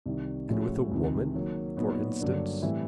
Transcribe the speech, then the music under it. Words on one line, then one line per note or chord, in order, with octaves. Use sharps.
And with a woman, for instance.
C2 C3 D#3
A2 F3 G#3 C#4 F#4
C#2 C3 D#3
D#3 F#3 A#3
A#2 F#3 B3 D#4 F#4
G2 D3 F#3 A#3 D4
A2 E3 G3 C4 E4